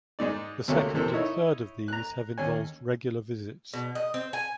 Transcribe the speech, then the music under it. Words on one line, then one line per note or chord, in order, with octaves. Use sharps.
The second and third of these have involved regular visits.
G#2 G#3 D#4 D5
D2 C3 A3 A#3 C#4
A1 C3 E3 A4 A#4 C5
D#4 E4 C#5 D#5
A#5 F#6
D#2 C#4 G#5
B2
D#5
C4
G#5